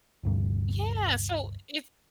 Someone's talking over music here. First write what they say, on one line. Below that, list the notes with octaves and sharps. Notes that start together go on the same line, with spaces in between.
Yeah. So if
G1 D2 G2 C3